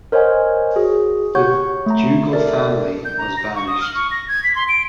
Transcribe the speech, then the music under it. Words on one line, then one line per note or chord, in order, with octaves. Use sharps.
The ducal family was banished.
A#4 C5 C#5 D#5 F#5 G#5
F#4 G#4
G4 C#5 F#5 C#6 G6
A3 A#5
A4 A#4 D5 E5
G6
A#5
A#6
C#6
D#6
F6
C#6
A#6
G#6
B6
C6
D7